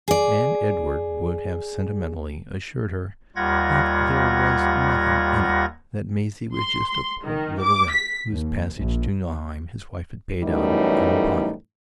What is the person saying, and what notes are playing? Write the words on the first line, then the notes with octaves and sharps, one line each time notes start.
And Edward would have sentimentally assured her that there was nothing in it; that Maisie was just a poor little rat whose passage to Nauheim his wife had paid out of her own pocket.
G#4 D5
D#2 G3 F4 F#5 G#6 A#6
C6
C6
D#3
D6
B6
D#2
A#1
F#2 A2 E3 G3 A3 D#4